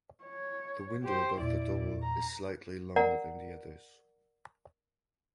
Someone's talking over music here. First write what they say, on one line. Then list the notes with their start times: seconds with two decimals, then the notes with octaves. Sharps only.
The window above the door is slightly longer than the others.
0.24 C#5
1.03 G4 C5
1.39 E2 A#2 E4 D5
2.02 A#5
2.96 A#4 D5 F#5 A#5